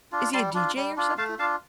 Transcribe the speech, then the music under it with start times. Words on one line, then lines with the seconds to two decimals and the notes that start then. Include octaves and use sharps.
Is he a DJ or something?
0.12 D4 F4
0.33 G3 A5 C6
0.54 D4 F4
0.76 G3
0.97 D4 F4
1.18 A3 F5 A5
1.39 D4 F4 F5 A5